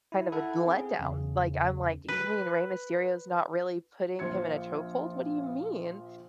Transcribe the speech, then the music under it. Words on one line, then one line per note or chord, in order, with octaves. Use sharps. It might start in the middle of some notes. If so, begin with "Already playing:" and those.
kind of a d letdown. Like, I'm like, "You mean Rey Mysterio is not really putting him in a choke hold? What do you mean?"
E4
E4 A4 E5 F#5
C4 G#4
E2 C#3
B4
A#1 F3 F4 C5 G#6 C#7